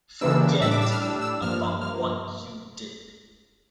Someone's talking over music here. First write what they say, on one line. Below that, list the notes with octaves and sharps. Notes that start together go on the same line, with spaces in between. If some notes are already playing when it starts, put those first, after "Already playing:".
Forget about what you did.
C#3 E3 G3 A#3 D4 E6
A2 G3 D4 E6
D6
E6
F6
A2 G3 D4 E6
E6
G2 F3 A#3 F6
G2 F3 A#3 F6